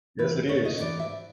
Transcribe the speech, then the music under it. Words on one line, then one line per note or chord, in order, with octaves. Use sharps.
Yes, it is.
G#2 E3 B4
C#5
D#5
G#2 E3 D5
E5